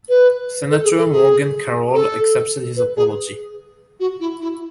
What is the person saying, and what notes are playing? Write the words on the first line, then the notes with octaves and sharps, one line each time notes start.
Senator Morgan Carroll accepted his apology.
B4
A4
G#4
A4
G#4
A4
B4
G#4
F#4
E4
E4